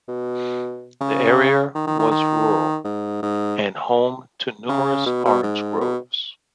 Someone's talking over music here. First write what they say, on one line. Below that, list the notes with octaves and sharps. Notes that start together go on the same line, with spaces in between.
The area was rural and home to numerous orange groves.
B2
C#3
D#3
D#3
D#3
D#3
G#2
G#2
C#3
B2
B2
G#2
B2